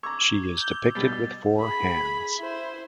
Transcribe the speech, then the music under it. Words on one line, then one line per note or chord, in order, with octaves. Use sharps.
She is depicted with four hands.
A#5 C#6 D6 E6 G#6
G6
B2 G3 A6
G#4 B5
E4 C5